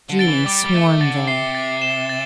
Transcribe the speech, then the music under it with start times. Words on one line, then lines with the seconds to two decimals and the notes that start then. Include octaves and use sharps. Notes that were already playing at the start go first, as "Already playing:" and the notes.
Genii swarm there.
0.09 D3
0.19 A6 D7 G7
0.28 E3
0.45 G3 D6
0.65 G3
0.73 A3 A6 D7
1.00 D3 A6
1.27 C3 C7 G7
1.55 A6
1.82 E7 G7
2.09 A6